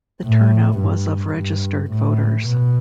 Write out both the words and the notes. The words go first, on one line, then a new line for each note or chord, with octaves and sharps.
The turnout was of registered voters.
A2
G2
G2
A2
B2